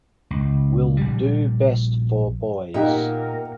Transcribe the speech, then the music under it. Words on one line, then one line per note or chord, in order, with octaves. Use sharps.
Will do best for boys.
C#2
A#1 G3
A#2 A#3 D#4 G4 A#4 E5 F#5